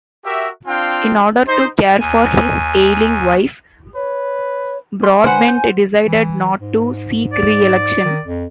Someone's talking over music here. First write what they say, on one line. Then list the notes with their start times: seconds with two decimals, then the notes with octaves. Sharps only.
In order to care for his ailing wife, Broadbent decided not to seek re-election.
0.24 F#4 G4 A#4 E5
0.66 C4 D4 F4 F5 G5
1.46 D#4 C5
2.00 D#2 G#5
3.95 B4 C#5
5.04 C6
5.24 D3 B4 C5 F#5 G#5 B5
5.48 G6
6.05 E3
6.60 G#2
7.33 D5
8.04 D#3
8.27 F2